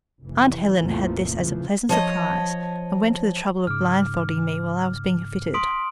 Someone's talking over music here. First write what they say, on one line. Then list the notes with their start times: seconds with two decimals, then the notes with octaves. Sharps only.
Aunt Helen had this as a pleasant surprise, and went to the trouble of blindfolding me while I was being fitted.
0.22 F1 E3
0.79 A1 E2 C3 F3 A3 A#3
1.35 A#2 C#3 E3 F3
1.89 F3 C#5 D#5
3.67 G#2 C#3 D6 F6
5.54 C6 D#6 B6 D7